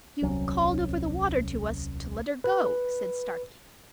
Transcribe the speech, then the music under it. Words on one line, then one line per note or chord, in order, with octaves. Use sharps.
"You called over the water to us to let her go," said Starkey.
D#1 C2 F#3 C#4
B4